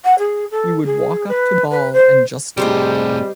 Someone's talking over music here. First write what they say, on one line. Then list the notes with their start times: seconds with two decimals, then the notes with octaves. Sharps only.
He would walk up to ball and "just do it".
0.04 F#5
0.18 G#4
0.51 A4
0.85 G#4
1.28 B4
1.70 B4
1.93 C5
2.57 A2 C3 G3 G4 G#4 C5 D#5